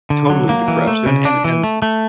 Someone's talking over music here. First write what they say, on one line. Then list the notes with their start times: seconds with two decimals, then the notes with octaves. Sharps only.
totally depressed, and and and
0.10 D3
0.30 F#3
0.49 A#3
0.68 E3
0.87 A3
1.06 C#3
1.25 D4
1.45 E3
1.63 A3
1.82 A3